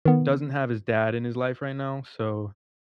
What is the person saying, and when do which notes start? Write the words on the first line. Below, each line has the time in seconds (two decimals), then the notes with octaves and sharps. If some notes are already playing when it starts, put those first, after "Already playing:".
doesn't have his dad in his life right now, so,
0.05 D#3 B3